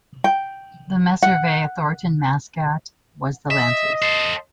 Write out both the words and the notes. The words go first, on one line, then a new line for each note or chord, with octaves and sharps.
The Meservey-Thornton mascot was the "Lancers".
G5
F#5
D#5 E5
A4 C5